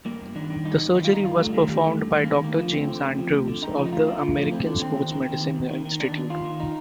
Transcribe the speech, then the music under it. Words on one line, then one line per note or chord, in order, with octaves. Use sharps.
The surgery was performed by Doctor James Andrews of the American Sports Medicine Institute.
G2 A#3
G2
D#3 D4
D#3
G2 D#4
G2
D#3 D#4
F4
D#3 D#4
G2 F4
G3
G2 A3
D#3 A3
D#3 G3
G2 A3
G2
D#3
A#3
D#3
D2 A#3
F3
D2 C4
D3
D2
F3
D2
D3
D2 D#4
F3
D#4
D2 F4
D3
D#4
D2 F4
F3 A3
D2 C4
D3 D4
D#2 C4
D#2
D#3
D#3
D#2
D#2
D#3
D#3
D#2 D4
D#2
D#3 F4
D#3
D#4